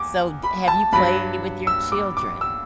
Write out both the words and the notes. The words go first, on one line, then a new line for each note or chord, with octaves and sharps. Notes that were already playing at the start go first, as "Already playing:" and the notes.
so d have you played with your children?
Already playing: E2 D6
B5
A5
G2 F#3 B5
E6
D6
D6
E6